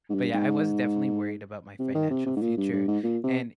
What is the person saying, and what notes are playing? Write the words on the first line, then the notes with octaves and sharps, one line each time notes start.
But yeah, I was definitely worried about my financial future. And
G#2
G2
G#2
C3
D#3
C3
C3
G#2
A#2
G2
G2
G#2
A#2
C3